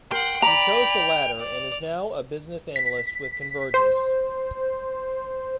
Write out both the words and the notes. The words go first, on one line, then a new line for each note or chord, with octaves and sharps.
He chose the latter, and is now a business analyst with Convergys.
A#4 F#5 G5 C6
D5 A#5 B5 F7
D5
B6
C5